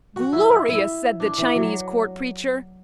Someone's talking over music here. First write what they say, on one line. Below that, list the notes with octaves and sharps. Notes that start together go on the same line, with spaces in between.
"Glorious!" said the Chinese Court Preacher.
F#4
E4
E4
E4
D4
E3
F#3